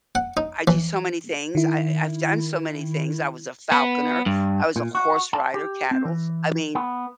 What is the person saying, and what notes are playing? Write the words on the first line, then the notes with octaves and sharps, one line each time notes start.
I do so many things, I I've done so many things; I was a falconer, I was a horse rider cattles. I mean,
F#5
D#4
E3
D#3 E4
B3
G2
A#2
F#4
A5
G4
C4
E3
B3